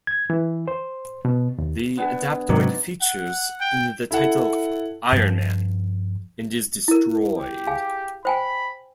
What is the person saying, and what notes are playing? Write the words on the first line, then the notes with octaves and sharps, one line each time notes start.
The Adaptoid features in the title "Iron Man" and is destroyed.
G#6
E3
C5
B2
D#2
D3 B3 G#5
G#2 C3 F#3 D#4 D5
F#5
G5
E4 A4 F#5
G2 F3
E4 A#4
G4
G#4 F5 G#5
C5 G5 G#5 B5